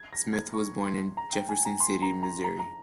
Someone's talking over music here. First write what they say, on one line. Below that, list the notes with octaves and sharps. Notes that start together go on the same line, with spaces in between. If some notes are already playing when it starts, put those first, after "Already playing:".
Smith was born in Jefferson City, Missouri.
Already playing: G#6
A#6
G#6
C#6
C6
A#5
G5
G#5
A#5
C6
A#5
A#5
A#5
A#5